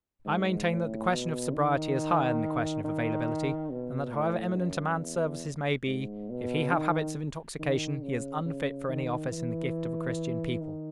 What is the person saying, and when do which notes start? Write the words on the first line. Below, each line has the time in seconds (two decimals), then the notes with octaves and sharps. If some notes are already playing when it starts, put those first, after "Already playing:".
I maintain that the question of sobriety is higher than the question of availability; and that however eminent a man's services may be, if he have habits of intoxication, he is unfit for any office in the gift of a Christian people.
0.25 G#2
0.68 A2
1.11 B2
1.54 D#3
2.84 D#3
3.71 B2
4.13 A2
4.57 F#2
5.00 E2
5.87 G#2
6.30 B2
6.72 D#3
7.59 D#3
8.02 C#3
8.45 C#3
8.89 D#3
9.31 E3
10.60 D#3